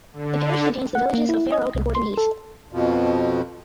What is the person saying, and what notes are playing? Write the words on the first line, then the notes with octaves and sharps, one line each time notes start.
The parish contains the villages of Fair Oak and Horton Heath.
D3
F#5
A#3
E4
D#5
C2
C6
A4
F2 B2 F3